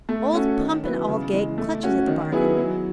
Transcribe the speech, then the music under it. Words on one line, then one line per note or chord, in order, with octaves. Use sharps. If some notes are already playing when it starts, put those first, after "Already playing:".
Old Pump and Aldgate clutches at the bargain.
A3
C#4 F#4 A4
D#3
F#3 B3 E4 B4
C#3
E3 G#3
A3
C#4 F#4
D#3
F#3 B3 E4 G#4
F#3